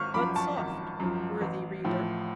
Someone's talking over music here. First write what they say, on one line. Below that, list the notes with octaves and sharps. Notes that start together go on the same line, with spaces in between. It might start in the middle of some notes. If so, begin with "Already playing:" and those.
But soft, worthy reader!
Already playing: G#1 C#6 F6
F#2 F3 B5 D6
A5 C#6
G#1
F#2 F3
A1
A2 F3